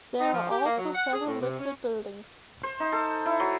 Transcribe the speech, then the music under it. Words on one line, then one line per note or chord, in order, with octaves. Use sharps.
There are also several listed buildings.
D#4
F3
G4
A#3
F#3
F#5
G#4
A2
C3
C#4
C5
D#4
A4
E4
F#3